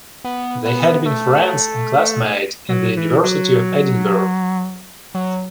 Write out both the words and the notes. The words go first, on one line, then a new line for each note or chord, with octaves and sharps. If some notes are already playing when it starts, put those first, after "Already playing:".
They had been friends and classmate at the University of Edinburgh.
B3
B3
A3
F#3
E3
F#3
F#3